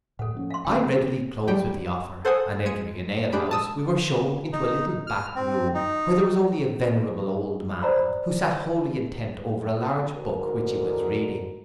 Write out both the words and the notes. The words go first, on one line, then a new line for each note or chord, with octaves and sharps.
I readily closed with the offer, and entering an ale-house, we were shewn into a little back room, where there was only a venerable old man, who sat wholly intent over a large book, which he was reading.
A2 A4 F#5
F3 C4 C#4
F5 C6
D#1 D#3 C#4 G5 E6
E2 F#3 G3 G4 G5
A4 C5 F#5 G#5 D#6
G#3 G#6 C#7 D#7
G#3 D4 G4 B5 D7
A5 D#6 E6
D#4
F6
C4
D#4
C5 D5 A#5 B5
G#2 D3 F#4 A#4